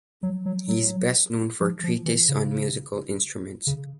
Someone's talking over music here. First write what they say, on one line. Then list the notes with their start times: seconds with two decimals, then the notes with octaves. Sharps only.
He is best known for a treatise on musical instruments.
0.23 F#3
0.46 F#3
0.68 F#3
1.61 F3
1.84 F3
2.06 E3
2.29 C#3
3.67 C#3